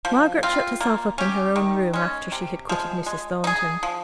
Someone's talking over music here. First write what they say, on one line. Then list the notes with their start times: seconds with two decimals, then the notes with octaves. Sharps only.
Margaret shut herself up in her own room, after she had quitted Mrs. Thornton.
0.05 F3
0.43 C4 F4
0.81 A#3
1.18 C#4 G4
1.56 D#3
1.93 G#3 C#4
2.32 C3
2.69 F3 G#3
3.06 G#3
3.44 D#4
3.47 G#4
3.83 F3